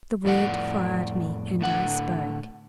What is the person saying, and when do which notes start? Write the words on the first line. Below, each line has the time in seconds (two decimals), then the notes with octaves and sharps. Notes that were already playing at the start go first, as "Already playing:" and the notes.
The word fired me, and I spoke.
0.25 F2 A2 D5 F#5
1.61 A2 D3 F#5